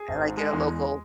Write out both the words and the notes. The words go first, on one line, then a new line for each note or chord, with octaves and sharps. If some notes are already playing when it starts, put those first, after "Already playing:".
uh, like, at a local
Already playing: G#4
G#1
G#2
G#3
E2
G#3